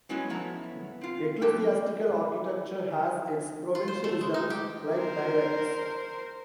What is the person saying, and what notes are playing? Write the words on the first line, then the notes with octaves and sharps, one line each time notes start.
Ecclesiastical architecture has its provincialisms, like dialects.
F#3 G#3 B3 C#4 E4 F#4
A2 F3 B3 E4 C#5 A#5
C4 F4
A2 F#3 G4 A4 G5
F4
C5
A3
G#3
D#4
G4
A#4 C5